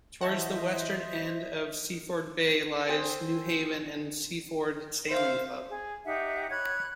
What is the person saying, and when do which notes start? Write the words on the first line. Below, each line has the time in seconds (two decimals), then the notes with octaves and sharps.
Towards the western end of Seaford Bay lies Newhaven and Seaford Sailing Club.
0.21 E3 C5 D#5 E5 F#5 A5
2.89 C4 G#4 C5 G5
5.09 C5 E5 F5
5.69 G#4
6.04 D#4 G4 E5 F#5
6.50 C#5 B5 F#6 G#6